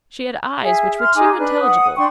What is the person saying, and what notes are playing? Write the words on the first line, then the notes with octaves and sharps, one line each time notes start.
She had eyes which were too intelligible.
G#4 E5
C6 F6
D#4 G#4 G#5 D6
D4 B4 F#6
F#5 D#6
D4 G5 C6 C#6